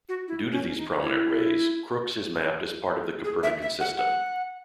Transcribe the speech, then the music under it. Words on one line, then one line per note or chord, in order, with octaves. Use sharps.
Due to these prominent rays, Crookes is mapped as part of the Copernican System.
F#4
E4
C#4
D#4
E4
G#4
E5
E5
F#5
F#5